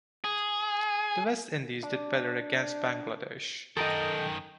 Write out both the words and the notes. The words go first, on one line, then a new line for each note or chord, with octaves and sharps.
The West Indies did better against Bangladesh.
G#4
D4
F#2 D#3 A4 A#4 D#5 G5